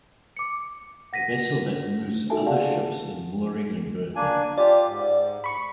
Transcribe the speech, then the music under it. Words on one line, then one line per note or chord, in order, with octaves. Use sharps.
A vessel that moves other ships in mooring and berthing.
D6 C#7
F#5 A#6 B6 D#7
D#4 F#4 A4 E5 G#5 A5
G4 G#4 D5 F5 F#5 A5
A#3 D4 G#5
F4 G4 D5
G#2
B5 C#6